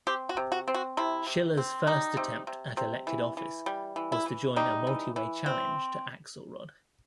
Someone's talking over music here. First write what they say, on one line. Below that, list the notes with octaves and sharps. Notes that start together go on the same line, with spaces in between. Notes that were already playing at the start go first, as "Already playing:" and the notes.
Shiller's first attempt at elected office was to join a multi-way challenge to Axelrod.
C4 G4
F#4
C3
F#4
C4
F#4
C3 E4
C3
C4
G3 D#4
C3
C3
C3
E3
E3
G3
E3
E4
E3
G3 D#4
E3
E3
C4